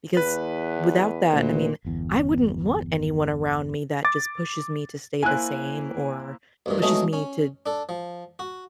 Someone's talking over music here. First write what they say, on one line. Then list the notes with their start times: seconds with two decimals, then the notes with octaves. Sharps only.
because without that, I mean, I wouldn't want anyone around me that just pushes me to stay the same or pushes me to
0.17 E2 B4
1.33 D2 A#2
1.85 G1 E2
4.05 D6 A6
5.23 A#3 E4 C5 G#5 F#6
6.66 D2 G2 D#3
6.82 B2 F#3 G#3 A3 D#4
7.13 C#4
7.66 D4 A4
7.89 F3
8.39 F#4